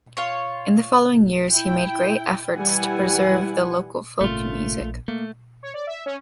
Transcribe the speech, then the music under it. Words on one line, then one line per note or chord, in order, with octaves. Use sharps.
In the following years he made great efforts to preserve the local folk music.
F4 C#5
E4 G5
E3 G3 E4 F#5 G#5
G#1 A#2 C#3 A3 F4
A#1
A3 A#3
C#5
D5
E5
C#4